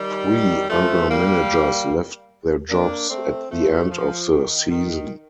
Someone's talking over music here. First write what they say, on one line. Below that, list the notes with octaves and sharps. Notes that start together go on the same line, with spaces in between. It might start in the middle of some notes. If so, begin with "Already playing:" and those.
Three other managers left their jobs at the end of the season.
Already playing: D#3 G3
F3 A3
G3 A#3
A#3 D4
A3 C4
F3 A3
F3
D#3
D#3